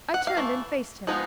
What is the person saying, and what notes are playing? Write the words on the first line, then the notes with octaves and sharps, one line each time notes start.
I turned and faced him.
F#5
F5
E3 A3
F3 G#3 B3 D#4